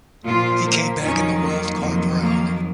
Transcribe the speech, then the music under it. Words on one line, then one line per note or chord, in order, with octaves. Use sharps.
He came back in the wildcard round.
A#2 F3 F4
A#3
F2 D#3 F#3 C#4
A#3
F2 D#3 F#3
A#3